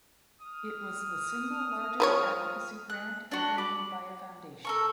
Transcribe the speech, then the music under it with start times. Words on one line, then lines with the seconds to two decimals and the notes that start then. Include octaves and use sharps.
It was the single largest advocacy grant ever made by a foundation.
0.41 D#6 F6
2.00 F3 B4 C#5
2.90 F#6
3.31 D4 F#4
3.58 B5 D6
4.65 A4 A#4 C#6